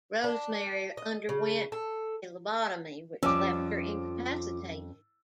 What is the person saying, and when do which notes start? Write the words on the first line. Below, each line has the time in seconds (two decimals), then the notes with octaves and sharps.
Rosemary underwent a lobotomy which left her incapacitated.
0.24 D4
0.97 D#5
1.29 C#3
1.72 A4
3.23 F2 F3 G3 C#4 D6 E6